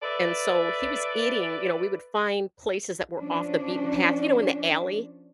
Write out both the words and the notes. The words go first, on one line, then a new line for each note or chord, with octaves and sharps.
And so he was eating you know, we would find places that were off the beaten path, you know, in the alley?
A4 B4 D5 E5
F3 C#4 D4